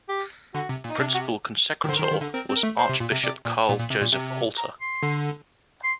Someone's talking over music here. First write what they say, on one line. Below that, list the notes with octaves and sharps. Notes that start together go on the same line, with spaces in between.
Principal Consecrator was Archbishop Karl Joseph Alter.
G4
D3 F#4
C3
A#2
D#4
C3 D4
F#4
D#3
D3 C5
A#4
D#3
C5
D#3
D3
C4 A#4
C4
A#4
A3
C5
C3
A#2
C3
C3 D5
A#2
A#2
A#2
C3
A#2
C3
A#5
C6
D3
C6